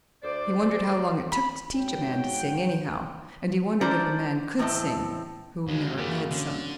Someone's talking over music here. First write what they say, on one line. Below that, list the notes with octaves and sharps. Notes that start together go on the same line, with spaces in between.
He wondered how long it took to teach a man to sing, anyhow; and he wondered if a man could sing--who never had sung.
D2 C5 D5
B5
G#2 F#4 C#5 G5
C#4 D4 E4 C5 D5 A#5
E2 A2 C4 D#5 A5
D#2 G#3 F#4 F5
F#1 A3 G4
D3 C#4